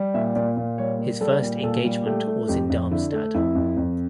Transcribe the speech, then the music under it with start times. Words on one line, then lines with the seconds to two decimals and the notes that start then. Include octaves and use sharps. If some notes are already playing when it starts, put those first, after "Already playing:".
His first engagement was in Darmstadt.
Already playing: G3
0.14 A#2 E5
0.35 A#2 D5
0.57 A#2
0.78 G3 C#5
0.99 A#3
1.21 G3 A4
1.42 A#2
1.63 A#2 A4
1.85 G3
2.06 A3 G4
2.27 A3
2.48 F2 G4
2.70 F2
2.91 D3 E4
3.13 A3
3.34 F2 E4
3.55 F2
3.77 F2